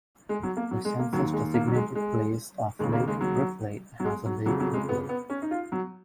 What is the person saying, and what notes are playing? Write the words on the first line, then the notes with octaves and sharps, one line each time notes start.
The census-designated place of Lake Ripley has a Lake Ripley.
G#3
F#3
A#3
F#3
G#3
A#3
D#2 D#3 F#3
G#3
A#3
F#3
G#3
G#3
D#2 C#3 G#3
A#3
G#3
F#3
F#3
G#3
F#3
F2 C#3 F#3
F#3
G#3
B3
B3
C#4
D#4
F4
F#3